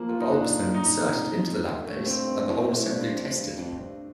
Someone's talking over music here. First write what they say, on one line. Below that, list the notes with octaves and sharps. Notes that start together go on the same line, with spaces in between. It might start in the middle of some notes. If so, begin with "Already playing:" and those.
The bulb is then inserted into the lamp base, and the whole assembly tested.
Already playing: F3 A#3
F4
D#4
D4
D#4
F2
F2
G2
A3
C4
C4
A2 A3
A2
D4
G2 C4
F2
G2
F2
G2